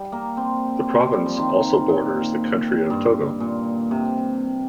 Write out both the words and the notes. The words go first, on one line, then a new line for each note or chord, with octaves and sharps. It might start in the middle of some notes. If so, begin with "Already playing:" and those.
The province also borders the country of Togo.
Already playing: G3
A#3
C4
C4
G3
F3
D#3
A#2
G2
A#2
C3